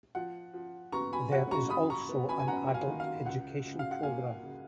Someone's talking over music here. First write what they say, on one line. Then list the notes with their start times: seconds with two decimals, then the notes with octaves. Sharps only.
There is also an adult education program.
0.15 F3 F#5
0.53 F3
0.92 B3 A#5 C#6
1.13 G#5 B5
1.32 C#3 F#5
1.51 A#5 C#6
1.70 F#2 B5 D#6
1.90 A#5 C#6
2.09 B3
2.29 G#5 B5
2.39 G#5
2.48 F#2 F#5 A#5
2.74 F5 G#5
2.87 D#3
3.00 F5
3.25 C#2 F#5
3.65 C#2
3.79 F5
3.91 F#5
4.03 A#3 F5 G#5
4.43 C#3